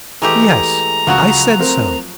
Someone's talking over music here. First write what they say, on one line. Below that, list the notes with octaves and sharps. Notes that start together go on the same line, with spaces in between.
'Yes, I said so.
E3 G#3 A3 G4 A#5
C#2 F3 F#3 F#4 F#5 F#6
A3 C4 A#4